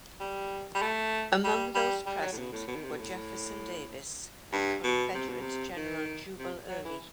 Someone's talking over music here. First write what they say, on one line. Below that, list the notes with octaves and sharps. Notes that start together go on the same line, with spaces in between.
Among those present were Jefferson Davis and Confederate General Jubal Early.
G3
G3
A3
G3
G3
G3
F#3
A2
B2
A2
B2
D#3
C3
B2
A2
G2
B2
C3
B2
C3
D#3
C3
F#3
E3